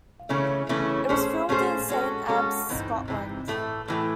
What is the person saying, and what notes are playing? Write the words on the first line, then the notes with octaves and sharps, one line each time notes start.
It was filmed in Saint Abbs, Scotland.
C#3 E3 A3 C#4 E4
C#3 E3 A3 C#4 E4
A3 C#4 G#4 C5
A3 C#4 G#4 C5
G#3 C#4 F#4 A4
G#3 C#4 F#4 A4
C3 E3 C4 D#4
C3 E3 C4 D#4
A2 E3 A3
A2 E3 A3